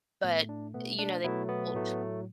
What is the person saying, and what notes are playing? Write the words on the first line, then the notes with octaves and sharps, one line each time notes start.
but, you know, they mulch?
A2 A3 B3
D4
B2 A3 B3
D4
B2 F#3 A3 B3 E4
B3
A2 F#3 A3